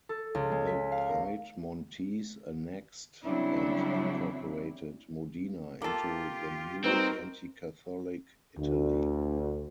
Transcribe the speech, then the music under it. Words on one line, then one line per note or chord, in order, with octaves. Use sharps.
The Piedmontese annexed and incorporated Modena into the new, anti-Catholic Italy.
A4
C#2
G#3
B6
F5
A#4
C#3 F#3 G3 C4 D4 E4
A#3 F4 G4 A4
G3 C4 D#4 F#4 A#4 B4
D2